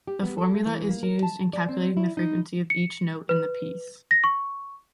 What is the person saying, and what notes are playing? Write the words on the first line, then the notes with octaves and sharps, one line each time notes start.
The formula is used in calculating the frequency of each note in the piece.
G4
B3
A4
A3
E3
A#3
A#4
A5
D5
C4
E4
D#4
C#7
B4
A#6
C#6